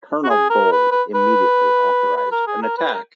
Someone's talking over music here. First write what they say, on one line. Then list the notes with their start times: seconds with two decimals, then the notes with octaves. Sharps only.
Colonel Gold immediately authorised an attack.
0.24 F#4
0.30 G#4
0.50 A#4
0.72 B4
0.91 B4
1.14 B4
2.17 B4
2.32 A#4
2.47 G#4
2.62 A#4
2.78 B4
2.93 A#4